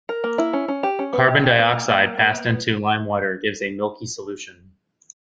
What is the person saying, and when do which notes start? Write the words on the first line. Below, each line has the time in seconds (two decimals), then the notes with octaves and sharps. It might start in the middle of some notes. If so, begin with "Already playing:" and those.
Carbon dioxide passed into limewater gives a milky solution.
0.09 A#4
0.24 A#3
0.38 E4
0.53 C#4
0.68 C#4
0.83 G4
0.99 C#4
1.13 B3
1.28 G4
1.44 G4
1.58 B3
1.73 A#3
1.88 A#3
2.03 A#4
2.18 A#3
2.32 B3
2.48 B3